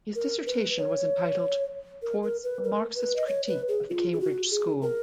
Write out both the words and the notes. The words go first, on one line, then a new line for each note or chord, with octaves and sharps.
His dissertation was entitled "Towards a Marxist Critique of the Cambridge School".
A#4
B4
C#5
A#4
A#4
B4
A#4
B4
D#5
C#5
B4
G#4
F4
G#4
F#4
G#4
A#4